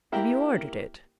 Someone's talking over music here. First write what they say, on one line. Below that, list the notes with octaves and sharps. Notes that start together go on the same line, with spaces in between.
Have you ordered it?'
A#3 E4 G4 A#4 E5 G5